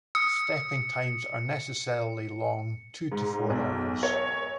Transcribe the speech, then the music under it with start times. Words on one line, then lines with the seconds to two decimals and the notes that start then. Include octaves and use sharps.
Steeping times are necessarily long, two to four hours.
0.15 D#6 C#7
3.12 G#2
3.50 B1
4.03 C#5